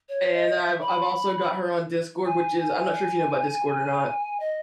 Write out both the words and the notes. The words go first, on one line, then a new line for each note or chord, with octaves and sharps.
and I've I've also got her on Discord, which is I'm not sure if you know about Discord or not.
C#5
D#5
E5
B5
G#5
G#5
D#5